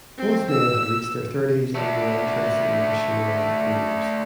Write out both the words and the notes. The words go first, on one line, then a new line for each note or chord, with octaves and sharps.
Both men had reached their thirties and were interested in pursuing other careers.
C4
E6
A3 D4